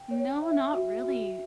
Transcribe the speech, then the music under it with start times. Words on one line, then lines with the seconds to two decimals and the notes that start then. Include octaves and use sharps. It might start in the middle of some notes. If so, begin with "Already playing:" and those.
No, not really.
Already playing: G5
0.11 C#5
0.42 E5
0.73 F#4
1.04 F#4